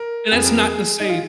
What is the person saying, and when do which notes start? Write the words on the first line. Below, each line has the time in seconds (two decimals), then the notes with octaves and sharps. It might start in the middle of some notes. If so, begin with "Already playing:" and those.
and that's not to say
Already playing: A#4
0.32 F2 F3 B3 G#4
0.46 A#4
0.58 G#4
1.00 D#4
1.09 F4